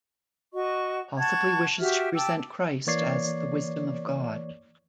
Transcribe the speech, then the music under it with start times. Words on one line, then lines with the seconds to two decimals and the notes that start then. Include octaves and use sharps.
Possibly wishes to present Christ as "the wisdom of God".
0.52 F#4 D#5 C#6
1.18 F#5 A5 C#6 G#6
1.79 F#4 G4 E5 F6
2.14 G5 A5 D6 E6
2.87 E3 A#3 C#5 D5 C7